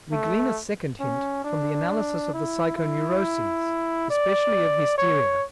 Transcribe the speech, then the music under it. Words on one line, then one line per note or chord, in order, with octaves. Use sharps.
We glean a second hint from the analysis of the psychoneuroses, especially of hysteria.
A3
C#4
D4
E4
E4
D5
C#5